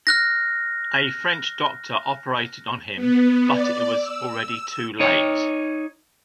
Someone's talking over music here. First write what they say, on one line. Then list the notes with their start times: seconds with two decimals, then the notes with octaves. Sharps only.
A French doctor operated on him, but it was already too late.
0.07 F6 F#6 A#6
2.96 B3
3.49 D5
3.97 E6
5.00 D#4 C#5